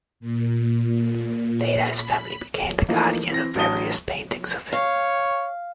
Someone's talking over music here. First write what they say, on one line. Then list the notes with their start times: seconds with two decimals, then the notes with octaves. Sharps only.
Later his family became the guardian of various paintings of him.
0.20 A#2
1.93 B5
2.89 E3 F3 A3 A#3 D#4
3.30 E3 C4 A#6
3.55 A1 F#3 D4 A5 D#6 G7
4.73 C#5 F5